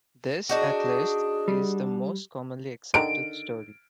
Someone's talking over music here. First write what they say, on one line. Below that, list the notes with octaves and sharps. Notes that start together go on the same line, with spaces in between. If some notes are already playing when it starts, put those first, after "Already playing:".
This, at least, is the most commonly accepted story.
D4 D#4 F#4 G#4
G3
D3 D#3 A#5 D7